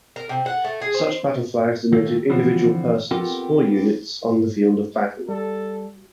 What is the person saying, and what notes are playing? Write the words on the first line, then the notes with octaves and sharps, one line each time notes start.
Such battle flags denoted individual persons, or units, on the field of battle.
A#4
C3
F#5
A3
G#4
C5
D#2 A3 A#3
D3 E3 F3 C4 F4 F#4
B3 C4 F4 G4 A4 A#4
G3 A4